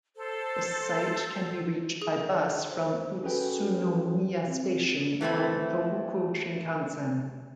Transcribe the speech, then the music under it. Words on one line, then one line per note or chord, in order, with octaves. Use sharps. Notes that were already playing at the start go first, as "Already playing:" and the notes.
The site can be reached by bus from Utsunomiya Station on the Tohoku Shinkansen.
A4 C5
G#4
C5
C#4 F#4 G#4 A4 B4 G5
C4
E3 A3 C4 E4